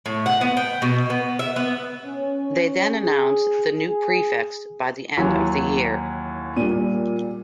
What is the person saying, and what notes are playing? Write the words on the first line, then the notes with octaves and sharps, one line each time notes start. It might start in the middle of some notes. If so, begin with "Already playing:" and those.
They then announce the new Prefects by the end of the year.
A2
F#5
B3
G5
B2
B3
E5
B3
C#4
G#4
G#4
D#2 E3 F#3
A#2 G3 D#7